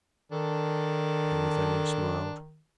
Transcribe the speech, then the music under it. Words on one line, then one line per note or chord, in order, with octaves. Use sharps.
Sir Nathaniel smiled.
D#3 D4 A4